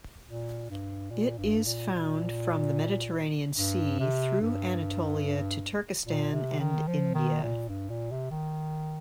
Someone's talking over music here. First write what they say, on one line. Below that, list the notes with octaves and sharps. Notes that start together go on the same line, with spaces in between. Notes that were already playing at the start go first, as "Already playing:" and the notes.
It is found from the Mediterranean Sea, through Anatolia to Turkestan and India.
A#2
G2
A#2
G2
A#2
A#2
G2
C3
G2
A#2
C3
D#3
F3
D#3
A#2
G2
A#2
C3
D#3